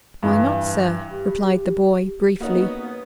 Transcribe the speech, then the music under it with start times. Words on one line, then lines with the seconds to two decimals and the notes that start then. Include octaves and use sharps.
"Why not, sir?" replied the boy briefly.
0.23 G2 E3
1.10 G4
2.40 A#3 B3 C#4 D#4 F#4